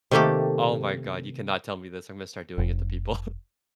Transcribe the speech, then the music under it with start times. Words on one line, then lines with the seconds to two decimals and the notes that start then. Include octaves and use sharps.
Oh my god, you cannot tell me this. I'm gonna start doing it to people.
0.11 C3 D#3 A3 A#3 G4 A4
2.58 F1